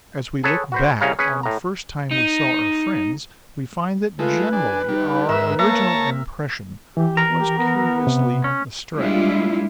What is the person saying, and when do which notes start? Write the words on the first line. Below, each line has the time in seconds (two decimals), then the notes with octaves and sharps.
As we look back on the first time we saw our friends we find that generally our original impression was curiously astray.
0.43 G#4 A4 B4 C#5
0.72 F#4 B4 C5
1.01 C2 C#3 C#4 F5 A#5
1.19 C#4 G#4 B4
1.43 A2 A#5
2.11 D#4
4.19 G#3 A3 F4 B4
4.53 D4 G#5
4.89 G3 D#4
5.29 G#2 A#4 E5 E6
5.59 A#3 C#5 E5 A5 A#5
6.97 E3 G4
7.17 A#4
7.40 G4
7.58 B3
8.07 C3
8.44 C#4
8.95 G3 G#3 A#3 D4 E4 F4